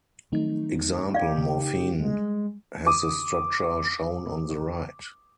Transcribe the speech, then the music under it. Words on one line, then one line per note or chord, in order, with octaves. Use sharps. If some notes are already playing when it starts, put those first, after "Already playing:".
Example: Morphine has the structure shown on the right.
D#3 F3 F#3 A3 C4 D#4
G4 D5 F5
C#3
G3 G#3
D6 D#6